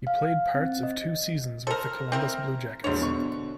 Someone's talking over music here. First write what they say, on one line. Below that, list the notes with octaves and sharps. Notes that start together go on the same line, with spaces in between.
He played parts of two seasons with the Columbus Blue Jackets.
F5
C4
D#5
A4 A#4 C5
C4 E4 A#4
E1 A#1 D3 C5 C#5
B2 D3 C#6